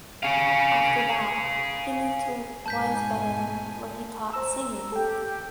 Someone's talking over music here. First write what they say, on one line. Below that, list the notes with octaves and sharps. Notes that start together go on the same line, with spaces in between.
After that he moved to Wiesbaden where he taught singing.
G#4 F5
G#2 B2 G#5 A5 G6 B6
C5 A#5 E6
G4 A4 G5